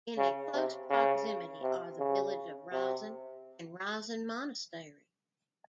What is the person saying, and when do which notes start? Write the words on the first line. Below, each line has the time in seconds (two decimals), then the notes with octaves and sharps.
In a close proximity are the village of Rozhen and Rozhen Monastery.
0.18 C#3
0.54 C3
0.90 C#3
1.62 C3
1.98 C#3
2.72 C3